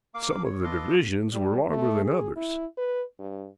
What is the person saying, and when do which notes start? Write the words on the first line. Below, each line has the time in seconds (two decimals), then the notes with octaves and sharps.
Some of the divisions were longer than others.
0.14 A#3 F5 D6
0.45 C#5
0.64 F4 A4 B4 D#5 C6 D6
1.33 G3
1.69 A3
2.05 G#4
2.36 E4
2.77 B4
3.19 G2